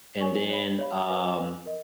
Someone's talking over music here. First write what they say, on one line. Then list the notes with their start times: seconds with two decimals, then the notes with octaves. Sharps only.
and then, um,
0.21 A#4 C#5 G#5 C#6
0.50 C#5 F5 B5
0.79 C#5 F5 B5
1.08 B4 F5 G#5
1.37 B4 F5 G#5
1.66 A#4 D#5